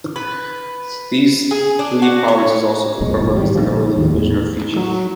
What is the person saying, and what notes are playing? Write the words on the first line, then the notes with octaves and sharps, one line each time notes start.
These three provinces also comprise the Northern Division of Fiji.
B4
G#4
D4
F#4
C#5
F1 C2 A#2 G#3
G1 C#2 G#2 B2
D1 G#1 G3
A#2 D3 F3
D#2 A2 F3 G3
E2 A2
F#3